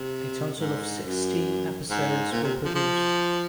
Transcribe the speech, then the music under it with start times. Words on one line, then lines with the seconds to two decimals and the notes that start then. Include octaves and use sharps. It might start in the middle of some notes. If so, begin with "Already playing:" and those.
A total of sixteen episodes were produced.
Already playing: C3
0.60 G#2
1.04 F#2
1.90 G#2
2.32 A#2
2.44 C3
2.65 F3
2.75 F3